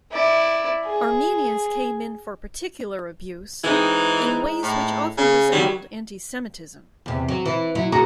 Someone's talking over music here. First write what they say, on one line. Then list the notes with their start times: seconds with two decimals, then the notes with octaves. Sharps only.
Armenians came in for particular abuse in ways which often resembled anti-Semitism.
0.12 E4 D5
0.85 G#4
3.64 E3 G#3 C4 D#4
4.63 A2
5.18 C#3
5.52 D#3 F#3 G3
7.06 E2 C3
7.29 F#3
7.45 E3
7.75 F#3 E4
7.92 F#4 G#4 A#4